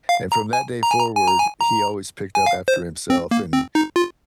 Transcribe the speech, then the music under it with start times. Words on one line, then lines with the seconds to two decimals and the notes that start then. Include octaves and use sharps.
and from that day forward, he always picked up after himself and
0.09 F5
0.32 A#5
0.53 G#5
0.83 A#5
0.91 G#5
0.99 A#5
1.17 G#5
1.28 A#5
1.40 G#5
1.61 A#5
2.35 G#5
2.46 F5
2.68 C5
3.10 C4
3.31 A#3
3.53 C4
3.75 D#4
3.96 F4